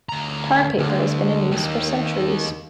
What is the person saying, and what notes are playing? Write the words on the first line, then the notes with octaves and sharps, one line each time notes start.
Tar paper has been in use for centuries.
D2 A#5
D2
D#2 D#3